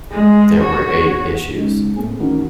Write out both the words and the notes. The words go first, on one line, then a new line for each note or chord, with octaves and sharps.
There were eight issues.
G#3
F#4 C#5
C#3 G#3 D#4
A2 A3 A#3 C4 G#4
D#3 E3 C#4 D#4 F#4 A#4